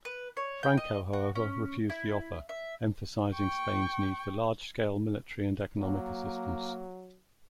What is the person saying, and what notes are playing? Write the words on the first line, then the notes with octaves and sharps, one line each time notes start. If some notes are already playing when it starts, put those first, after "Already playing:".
Franco however refused the offer, emphasizing Spain's need for large-scale military and economic assistance.
B4
C#5
G5
D#5
F#4
C#4
E4
E5
G5 C#6
F#3 A#3